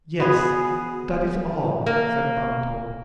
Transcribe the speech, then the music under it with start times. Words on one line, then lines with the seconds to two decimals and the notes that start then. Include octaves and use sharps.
"Yes, that is all," said Bumpo.
0.20 B3 F#4 G#4 B5 D#6
1.86 A#3